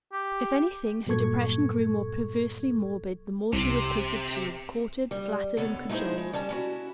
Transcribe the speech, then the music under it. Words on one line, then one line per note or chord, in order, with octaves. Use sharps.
If anything her depression grew more perversely morbid the more she was catered to, courted, flattered, and cajoled.
G4
G2 A#2 F#3 A4 C#6 G#6
C2 C3
G3
D#2 D3 B3 A4 C#5
G#3 D#4 E4 G4 G#4 C5
G#3
G3 C#4 A5
C#4 E4 F#4